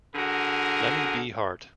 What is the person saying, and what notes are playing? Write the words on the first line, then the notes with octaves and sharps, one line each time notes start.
Lenny B. Hart.
D3 F#4 G#4 A#4